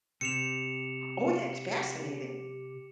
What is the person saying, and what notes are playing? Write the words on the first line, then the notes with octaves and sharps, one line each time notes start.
Oh, that's fascinating.
C3 G4 C#7 E7 F7